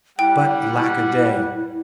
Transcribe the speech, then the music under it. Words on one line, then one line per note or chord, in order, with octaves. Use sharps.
But alack-a-day!
G3 E4 F#5 G5